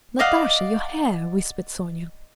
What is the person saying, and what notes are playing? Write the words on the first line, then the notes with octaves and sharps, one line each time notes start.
"Natasha, your hair!..." whispered Sonya.
D5 D#5 F5 F#5